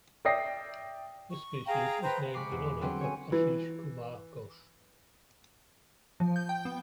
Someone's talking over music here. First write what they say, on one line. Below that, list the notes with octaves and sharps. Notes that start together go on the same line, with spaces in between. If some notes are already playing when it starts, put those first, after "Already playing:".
This species is named in honor of Asish Kumar Ghosh.
D5 E5 G5 D#6 A#6 C7
C#6
G#4 F5 G5 A#5
B4 C5 G5 A#5
G#3 B5 C#6 D6 C7
E2
D3 F#3 G3 C4 C#4
C#5 G#5
E3
F3
G6
G5
B3